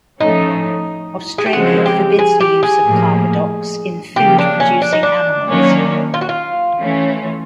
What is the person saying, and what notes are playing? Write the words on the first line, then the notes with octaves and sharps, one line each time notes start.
Australia forbids the use of carbadox in food producing animals.
A2 F3 A3 C#4 D#4
G#4
G4
C#3 F3 G#3 C4 F#4
G4
G#4
G4
G#4
A2 F3 A#3
C#3 F3 A#3 G4
D4
C#4
D4
D#4
D4
D#3 F#3 A#3 C#4
F4
F#4
F4
E3 A3 C#4